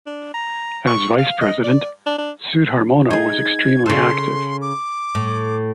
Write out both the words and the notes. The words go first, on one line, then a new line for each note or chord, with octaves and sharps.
As Vice President, Sudharmono was extremely active.
D4
A#5
C#6
F5
D#5
D5
D4
D4
D#4 G#4 G#6
C#3 A4 C6
D6
A2